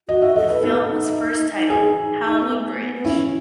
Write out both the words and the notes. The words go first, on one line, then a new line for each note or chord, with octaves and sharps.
The film was first titled "Howrah Bridge".
F#4 D#5
E5
A4 D#5
B4
B3 A4
D#4
G#4
D#4
B3
A3
B3
B3
C#4 E4